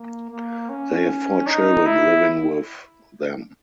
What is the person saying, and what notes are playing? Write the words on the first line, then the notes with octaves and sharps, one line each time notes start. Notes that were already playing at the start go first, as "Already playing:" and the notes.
They have four children living with them.
Already playing: A#3
A#3
C#4
D#4
E4